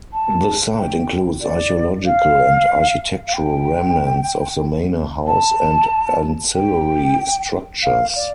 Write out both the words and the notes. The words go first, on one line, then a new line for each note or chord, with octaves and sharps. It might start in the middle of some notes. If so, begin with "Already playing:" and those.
The site includes archaeological and architectural remnants of the manor house and ancillary structures.
A5
G5
D5
F5
F5
G5
A5
G5
F5
D5